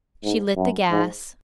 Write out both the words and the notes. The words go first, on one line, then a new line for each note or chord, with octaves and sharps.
She lit the gas.
G#2
F#2
G#2